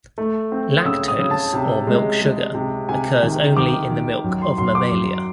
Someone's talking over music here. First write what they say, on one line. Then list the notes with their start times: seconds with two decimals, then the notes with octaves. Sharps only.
Lactose, or milk sugar, occurs only in the milk of mammalia.
0.18 A3
0.52 C4
0.79 D#6
0.85 C#3 E6
1.08 D#6
1.19 C#3
1.31 A5
1.53 C3
1.87 G#3
2.21 G#3
2.55 C3
2.89 C3 G#5
3.22 D#3
3.57 D#3 D6
3.90 D#3
4.24 F#2
4.42 C6
4.58 F#2 C6
4.75 D6
4.92 F#2